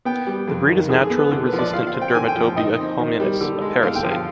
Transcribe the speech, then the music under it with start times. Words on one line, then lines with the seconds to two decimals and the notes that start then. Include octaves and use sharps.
The breed is naturally resistant to Dermatobia-Hominis, a parasite.
0.05 B3 G5
0.27 G3
0.47 F2
0.69 D#3
0.89 D3 G#4
1.04 G#4
1.10 B3
1.17 B4
1.31 D3
1.46 B4
1.53 F3
1.59 D5
1.73 F4 F5
1.87 F5
1.94 C4
2.01 G5
2.15 D3 G#5
2.28 G5
2.36 F3
2.43 G5
2.56 D#4 D#5
2.78 C4
2.99 D#3
3.20 G3
3.41 D3
3.61 G#3
3.83 D3 F5
3.96 G5
4.03 F3
4.10 F5